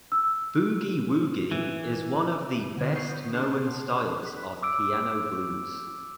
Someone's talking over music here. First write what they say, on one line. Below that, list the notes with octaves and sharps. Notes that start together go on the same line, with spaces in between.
Boogie woogie is one of the best known styles of piano blues.
E6
E3
D3 E4
B3 B4 C#6 G6 C7
B3
D4 G#4 C5 F#5 A5 C6
F#6 B6
D6 E6 D7